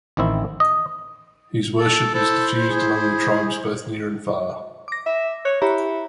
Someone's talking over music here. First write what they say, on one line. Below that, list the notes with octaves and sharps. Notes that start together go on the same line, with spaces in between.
His worship is diffused among the tribes both near and far.
A1 D#3 C4 E4
D#5
A4
E4 A4 C5
G#4
D6 A#6
E5
C#5 F#6
E4 G4 C#5 A#5